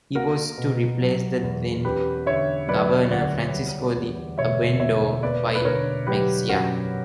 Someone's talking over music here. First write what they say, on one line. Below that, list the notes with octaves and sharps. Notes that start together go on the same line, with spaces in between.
He was to replace the then governor Francisco De Obando Y Mexia.
A#3 F#4 A#4
B2
F#3
E2
C#4 G4 B4
D3 C#5 E5
F#3 B4 D5
D2 D5 F#5
G3
E2
B2 C#5 E5
E1 C#5 E5
A#3 B4 D5
B4
D3 A#4 C#5
F#3 G4 B4
F#2 F#4 A#4